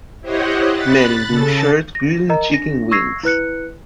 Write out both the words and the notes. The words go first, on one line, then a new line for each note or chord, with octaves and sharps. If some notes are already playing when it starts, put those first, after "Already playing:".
Man in blue shirt grilling chicken wings.
E4 G4 C5 C#5 D#5 F#5
B5 F#6 A6
C#3 A4 A6
A#6
A#4 D#5 A#5
D4 A#6
C#6 E6 G#6 A#6 C7
E4 B4 F#6 C#7